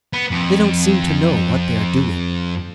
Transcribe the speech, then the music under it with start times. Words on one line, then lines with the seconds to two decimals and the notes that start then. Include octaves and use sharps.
They don't seem to know what they are doing.
0.13 B3
0.31 F2